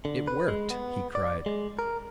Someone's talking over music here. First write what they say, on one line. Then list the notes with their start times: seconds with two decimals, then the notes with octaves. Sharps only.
"It worked!" he cried.
0.05 D3
0.28 B4
0.48 G#3
0.70 B3
1.15 D5
1.46 G#3
1.79 A#4